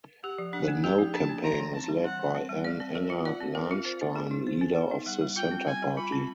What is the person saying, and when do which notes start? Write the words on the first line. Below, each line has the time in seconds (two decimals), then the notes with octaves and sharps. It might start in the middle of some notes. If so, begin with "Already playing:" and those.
The "No" campaign was led by Anne Enger Lahnstein, leader of the Centre Party.
0.23 G4 F#5
0.38 F3
0.53 D4 F#5
0.68 A#3
0.83 G4 G5
0.98 F3
1.14 D4 A5
1.30 A#3
1.44 E3 A#5
1.60 E3
1.74 C4 A5
1.89 G3
2.04 E3 F#5
2.19 E3
2.35 C4
2.49 G3
2.64 D5 F5
2.80 C4
2.95 A#4 E5
3.10 F4
3.25 D5 F#5
3.41 C4
3.55 A#4 F5
3.71 F4
3.85 C5
4.01 B3
4.16 G#4
4.31 D#4
4.47 C5
4.61 B3
4.76 G#4
4.91 D#4
5.06 G3 F#5
5.21 G3
5.36 F4 G5
5.51 C4
5.67 G3 G#5
5.83 G3
5.97 F4 B5
6.12 C4